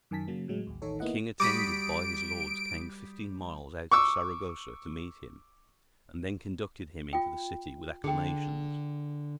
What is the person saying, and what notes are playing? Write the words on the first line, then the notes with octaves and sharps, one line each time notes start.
The king, attended by his lords, came fifteen miles out of Saragossa to meet him, and then conducted him into the city with acclamations.
F#2 D#3 G#5 A5 B6
C#3 F#3 A#3
A2 F#3 G#3
A1 D#2
A1 D#3 D#4 A4 C#5
A#3 B3 E4 D#5 F#5
G3 F#4 D6 D#6 B6 D7
C#6 D6 E6
F4 G5
D3 G#4 G5